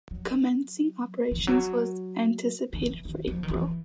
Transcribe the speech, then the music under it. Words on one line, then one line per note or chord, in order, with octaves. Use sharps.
Commencing operations was anticipated for April.
F#3
E3
F3
F#3
D#3
E3
D#3
F3
D#3
E3